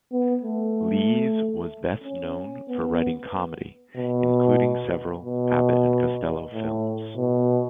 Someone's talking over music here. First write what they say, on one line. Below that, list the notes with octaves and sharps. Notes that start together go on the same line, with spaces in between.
Lees was best known for writing comedy, including several Abbott and Costello films.
B3
A3
C#4
B3
B2
B2
A2
B2